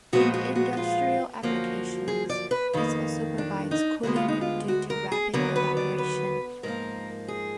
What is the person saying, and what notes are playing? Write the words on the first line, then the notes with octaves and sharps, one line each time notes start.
In industrial applications this also provides cooling due to rapid evaporation.
A#2 F3 G#3 B3 F#4
F#4
F#4
F#4
F4
F#2 D3 F3 A#3 F#4
G#4
D5
B4
F2 D#3 A#3
D4
D#4
D2 D3 G#3 B3 F#4
F4
D#4
F4
F#4
A#4
G#4
D#2 D3 F#3 B3 A#4
B4
D5
B4
G#2 F3 A#3 A#4
G#4